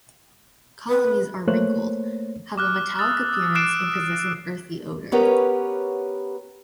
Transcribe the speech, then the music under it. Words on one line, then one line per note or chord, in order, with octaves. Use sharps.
Colonies are wrinkled, have a metallic appearance, and possess an earthy odour.
B4
A3 A#3 C5 C#5 F#6
D6 F6 F#6
D#6 E6 A6
D6 F#6 A6 C7 D7 E7
B3 C#4 G4 A#4 B4 C#5